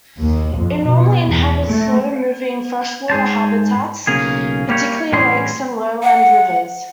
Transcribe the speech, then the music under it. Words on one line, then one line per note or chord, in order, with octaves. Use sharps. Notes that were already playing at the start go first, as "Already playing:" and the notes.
It normally inhabits slow-moving freshwater habitats, particularly lakes and lowland rivers.
D#2
F2
B2
E2
A3
G#2 G#4 C5 A5
B1 C#3 A#3 G#4
G3 A#3 G4 C#5
A2 E3 G3 C#4 G#4 C6
F#5